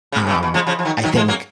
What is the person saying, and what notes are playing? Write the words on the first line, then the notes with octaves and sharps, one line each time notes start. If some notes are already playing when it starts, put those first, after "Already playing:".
um, I think
C#3
C#3
B2
B2
C#3 F3
C#3 F3
F3
D#3 F#3
D#3 F#3
F3 G#3
F#3 A#3